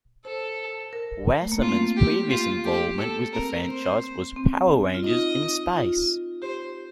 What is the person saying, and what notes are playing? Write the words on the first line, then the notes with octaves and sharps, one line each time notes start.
Wasserman's previous involvement with the franchise was "Power Rangers in Space".
A4 C5
A#4
A3
A#3
C4 F4
G4
F4
G4
A4
C4 A#4
C4 C5
C4
F4
D#4 D#5
F4
G4 C5